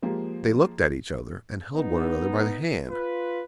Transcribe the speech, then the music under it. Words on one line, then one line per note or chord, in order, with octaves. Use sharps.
They looked at each other and held one another by the hand.
F3 G#3 A#3 G4
B3 D#4
F4 B4